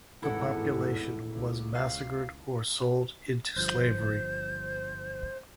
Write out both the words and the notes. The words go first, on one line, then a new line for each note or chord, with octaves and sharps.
The population was massacred or sold into slavery.
G#1 E2 A2 E4 A4 F#5
C#2
F5
G1 G2 F3 C5 G6